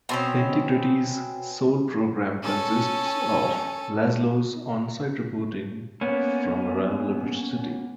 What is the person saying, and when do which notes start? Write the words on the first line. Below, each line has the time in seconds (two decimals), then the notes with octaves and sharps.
Integrity's sole program consists of Lazlow's on-site reporting from around Liberty City.
0.09 B2 C4 C#4
2.43 C#4 A4
6.01 A#3 B3 C#4